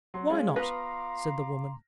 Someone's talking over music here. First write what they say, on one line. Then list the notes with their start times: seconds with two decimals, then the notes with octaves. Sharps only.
"Why not?" said the woman.
0.14 F#3 C6
0.29 G#3 C#4 F4
0.56 B3 F4 B4 F5 A#5 C6 D6 A#6